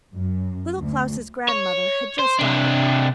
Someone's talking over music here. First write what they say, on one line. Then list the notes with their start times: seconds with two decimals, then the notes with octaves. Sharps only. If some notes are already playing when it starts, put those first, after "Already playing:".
Little Klaus' grandmother had just died.
0.13 F#2
0.79 D2
1.48 C#5
2.19 C5
2.40 C3 D4